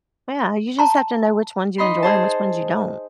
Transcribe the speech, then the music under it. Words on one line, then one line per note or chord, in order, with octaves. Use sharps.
Yeah, you just have to know which ones you enjoy and which ones you don't.
A5 A#5 C6
D#4 D#5 B5 C6
G#4 C5 A5